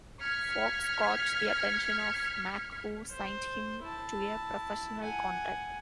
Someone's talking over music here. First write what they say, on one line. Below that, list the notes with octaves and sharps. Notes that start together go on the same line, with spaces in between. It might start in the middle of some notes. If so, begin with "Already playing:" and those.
Fox caught the attention of Mack who signed him to a professional contract.
F6 G#6 B6 C#7
C5
E4 A5
F#5 G#5